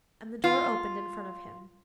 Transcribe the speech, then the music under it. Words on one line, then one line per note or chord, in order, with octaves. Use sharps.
And the door opened in front of him.
F4